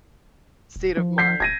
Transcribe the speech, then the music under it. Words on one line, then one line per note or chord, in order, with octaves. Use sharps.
state of mind.
D#1
F3
G6 B6 C7
D1 G#6 A#6 D#7